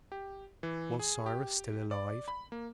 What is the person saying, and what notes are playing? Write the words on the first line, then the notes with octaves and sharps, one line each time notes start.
Was Cyrus still alive?
G4
E3
G#4
G4
D5
B5
A#3